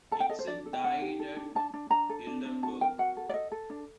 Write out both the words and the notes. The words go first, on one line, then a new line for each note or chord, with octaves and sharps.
Hitzig died at Heidelberg.
A4 A5
G5
A4 D#5
C5
D4 D5
A4
G5
D4 F#5
G4
A4
D4
D4 A5
D4
D4 A#5
A4
D4
D4
F#4 A5
A#4 G5
F#4 F#5
A4
D5
A4 D#5
A4
D4